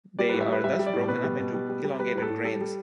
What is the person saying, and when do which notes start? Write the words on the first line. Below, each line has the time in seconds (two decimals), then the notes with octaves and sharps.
They are thus broken up into elongated grains.
0.19 G3 D5
0.29 A2 B4
0.41 E5
0.48 G3 B4
0.64 G3 E5
0.79 G3
0.86 D5
0.93 A2
1.08 B2 B4
1.24 G3
1.40 B2
1.54 G3
1.69 G3
1.84 G3
1.99 G3 B4
2.15 A2 B4
2.22 A4
2.30 A2
2.44 G3 A4
2.61 G3